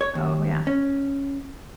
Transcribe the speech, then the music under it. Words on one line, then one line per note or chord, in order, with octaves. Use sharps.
Oh, yeah.
C#5
D#2
C#4